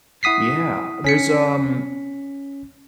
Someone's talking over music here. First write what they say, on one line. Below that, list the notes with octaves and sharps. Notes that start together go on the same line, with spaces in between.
Yeah, there's, um,
E4 F#5 D#6 B6 C7
C#4 B6 C#7